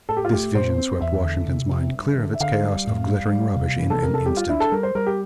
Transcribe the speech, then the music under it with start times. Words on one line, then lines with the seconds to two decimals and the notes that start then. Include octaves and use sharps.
This vision swept Washington's mind clear of its chaos of glittering rubbish in an instant.
0.09 A2 A4
0.17 G4
0.25 F4
0.32 A3 G4
0.55 A#2 C5
0.78 C4
1.01 E2 E5
1.24 D3
1.48 C3
1.71 C3
1.93 G2
2.18 D3
2.33 E5
2.40 D3 F5
2.63 G3
2.87 A2
3.09 G3
3.33 G3
3.56 C3
3.79 E3
3.90 A4
4.02 C3 A#4
4.14 A4
4.26 G3 G4
4.37 F4
4.49 D4 E4
4.60 A4
4.72 G3 A#4
4.83 C5
4.95 G3 A#4
5.07 G4